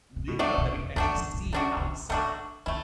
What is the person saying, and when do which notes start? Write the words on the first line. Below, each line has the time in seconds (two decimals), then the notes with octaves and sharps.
big enough that we can actually see outside.
0.16 C#3
0.27 B2
0.39 A2 A3 D4 F#4
0.58 B2
0.76 E2
0.96 E2 A3 D4 F#4
1.15 F#2
1.34 A2
1.46 D3
1.53 C#3 A3 D4 F#4
1.77 D3
1.81 C#3
2.10 A2 A3 D4 F#4
2.66 C#3 A3 E4